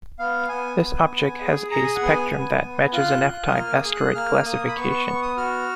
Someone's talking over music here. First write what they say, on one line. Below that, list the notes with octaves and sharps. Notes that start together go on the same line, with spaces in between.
This object has a spectrum that matches an F-type asteroid classification.
B3 F5
B3 G#5
B3
B3
G#4
G#4 A#5
G#5
F#5
B3 G#5
B3
B3
F4 F#6
F4
D#6
A#3 F6
D#6
G#4
F#6
A#3 F6
A#3 D#6
B5
B3 C#6
C#6
B3 C#6
D#6
F#4 F6